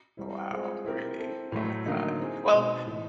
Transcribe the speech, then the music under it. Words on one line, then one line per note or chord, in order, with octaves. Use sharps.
wow, really? Oh my god. Well,
G3 C4 E4
G#3 C4 F4 G#4 C5
C4 E4 G4 A#4
C4 E4 A4
A2 F#3 A3
D3 F#3 A#3 D#4
C4 E4 G#4
B2 G#3 C4 D#4
A2 E3 A3